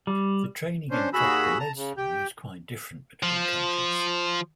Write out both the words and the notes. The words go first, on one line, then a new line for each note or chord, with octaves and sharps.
The training in Tropical Medicine is quite different between countries.
G3
C#4 D4 C5
D#2 F#4 G#4 B5 E6
A5 A#5
C#3
G4 G5
F3